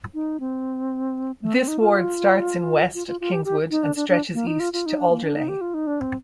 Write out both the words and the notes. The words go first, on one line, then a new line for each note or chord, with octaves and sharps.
This ward starts in west at Kingswood and stretches east to Alderley.
D#4
C4
A3
C4
D#4
F4
F4
F4
F4
G4
G4
D#4
D4
D4
D4
A#3
D#4
F4
F4
D#4
D4
A#3
D4
D#4
G4
F4
D#4
D4
C4